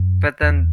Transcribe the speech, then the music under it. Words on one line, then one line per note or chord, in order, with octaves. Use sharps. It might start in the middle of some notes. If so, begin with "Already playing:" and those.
But, then
Already playing: F#2
E2